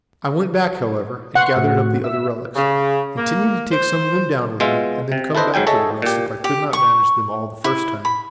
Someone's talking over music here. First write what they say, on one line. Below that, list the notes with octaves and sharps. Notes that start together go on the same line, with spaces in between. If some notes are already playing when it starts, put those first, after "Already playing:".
I went back, however, and gathered up the other relics, intending to take some of them down with me and then come back for the rest if I could not manage them all the first time.
F#5 C6 C#6
A2 F#4
E5
C#3
A#3
C5
B2 G#3 F4 E5
C3
E4 A4 B4 C5 D#5
G#2 F#3 G5 G#5
G#4 A4 C#5 D#5 E5 A5
A#2 G4
G4
C#6
E4
B5